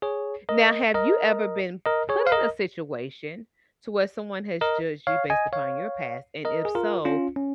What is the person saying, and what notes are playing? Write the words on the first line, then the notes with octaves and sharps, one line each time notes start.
Now, have you ever been put in a situation to where someone has judged you based upon your past and if so,
G#4 C#5
A#4 D#5
A#4 D#5
A#4 D#5
G#4 C#5
F5
A#4 D#5
A#4 D#5
C#5 F5
D#5 G#5
C#5 F5
A#4 D#5
G#4
F4 A#4
C#4 F4
C#4